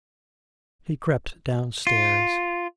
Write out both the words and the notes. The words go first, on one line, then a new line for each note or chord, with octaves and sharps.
He crept downstairs.
F4